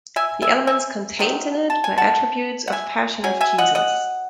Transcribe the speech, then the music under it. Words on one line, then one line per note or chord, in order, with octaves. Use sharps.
The elements contained in it were attributes of Passion of Jesus.
E5 G#5
E5 G#5
E5 G#5
C3 D#3 F#3
A5
G#5
F#5 A5
F#5
E5 G#5
F#3 C#4 G#5
E5 G#5
D#5 F#5
D#5 F#5